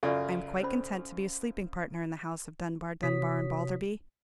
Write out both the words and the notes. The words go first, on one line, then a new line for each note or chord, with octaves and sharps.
I am quite content to be a sleeping-partner in the house of Dunbar, Dunbar, and Balderby.
F#2 C#3 F4 A4 D5 E5
C#4 C5 B5
C3 F#4 C#5 D#6 B6